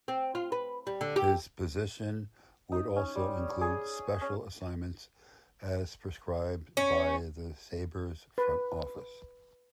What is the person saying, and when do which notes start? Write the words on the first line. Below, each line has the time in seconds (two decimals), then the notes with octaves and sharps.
His position would also include special assignments as prescribed by the Sabres front office.
0.08 C4
0.35 F4
0.52 B4
0.87 G3
1.01 D3
1.16 G4
2.72 D#4
2.96 C#4
3.15 G3
3.61 G#4
4.21 C#4
6.77 C#4
8.38 B4